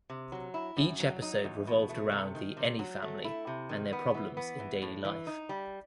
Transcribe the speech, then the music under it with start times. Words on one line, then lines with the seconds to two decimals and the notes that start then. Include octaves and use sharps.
Each episode revolved around the Anyfamily and their problems in daily life.
0.10 C3
0.32 F#3
0.54 E4
0.77 F#2
1.00 F#3
1.22 D#4
1.44 E2
1.67 B2
1.89 A3
2.12 C3
2.35 D#3
2.57 C3
2.79 F#3
3.02 A3
3.25 E4
3.47 C3
3.69 D#3
3.93 B3
4.14 E3
4.37 B3
4.59 E3
4.82 A2
5.05 E3
5.27 D#4
5.49 G3